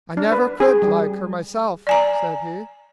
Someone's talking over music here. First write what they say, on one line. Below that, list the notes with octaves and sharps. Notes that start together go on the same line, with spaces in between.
'I never could like her myself,' said he.
D4
B4
G#4
G3
D5 G#5 A#5